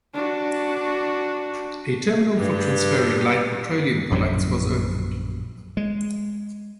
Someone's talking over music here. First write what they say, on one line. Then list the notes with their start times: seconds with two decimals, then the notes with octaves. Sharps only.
A terminal for transferring light petroleum products was opened.
0.13 D4 F#4
2.37 G2 G4
4.11 A#1 F#2 A2 D3
5.77 G#3